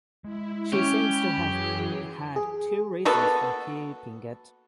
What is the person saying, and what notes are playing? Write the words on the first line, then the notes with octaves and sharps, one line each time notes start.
She seems to have had two reasons for keeping it.
G#3 E4
C#4 G4
B5
F#2 E3 F#3 G#4
G#4
A#3 B3 F#4 A4